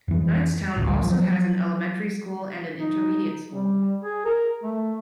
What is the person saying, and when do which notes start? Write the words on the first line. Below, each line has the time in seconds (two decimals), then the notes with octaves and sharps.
Knightstown also has an elementary school and an intermediate school.
0.08 F2 E3
0.77 A1 D2 G2
1.04 F3 F#3
2.79 D#4
3.49 G3
4.04 G#4
4.25 A#4
4.63 A3